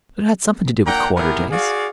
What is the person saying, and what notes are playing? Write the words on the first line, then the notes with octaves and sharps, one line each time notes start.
But it had something to do with quarter-days.
A#2 D4 F#5 G5 A#5
B3 E4 G4 G#4 A#4
F#4 G#4 D5 F5